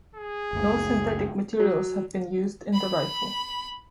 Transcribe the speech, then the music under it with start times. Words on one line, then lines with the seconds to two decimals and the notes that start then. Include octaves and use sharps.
No synthetic materials have been used in the rifle.
0.15 G#4
0.53 F#1 C#2 A3
1.60 F#3
2.73 B5